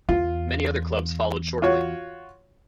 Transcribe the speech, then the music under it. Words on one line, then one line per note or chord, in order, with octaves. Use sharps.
Many other clubs followed shortly.
E2 F4
F4 F#4 C#5